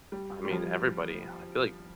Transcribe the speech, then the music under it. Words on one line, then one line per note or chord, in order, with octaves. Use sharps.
I mean, everybody. I feel like
G3
G3
F3